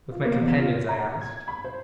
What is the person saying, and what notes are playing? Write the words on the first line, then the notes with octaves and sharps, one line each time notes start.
"With my companions?" I asked.
F4
A#3
E2
F4
A#5
G#6
B5
C5